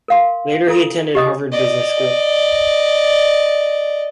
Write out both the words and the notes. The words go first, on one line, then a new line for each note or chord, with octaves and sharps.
Later he attended Harvard Business School.
A#4 F5 C6
E4 F4 A4 A#4
G4 D#5 D#6
D5 D#5